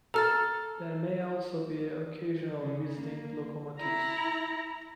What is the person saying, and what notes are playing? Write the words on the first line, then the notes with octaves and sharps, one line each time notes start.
There may also be occasional visiting locomotives.
A4 A#5 F6 A6
C#3
A#3
E4 A#5